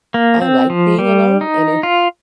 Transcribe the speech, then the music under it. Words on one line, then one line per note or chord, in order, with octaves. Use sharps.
I, like, being alone, and if
A#3
C4
F3
G3
D#4
F4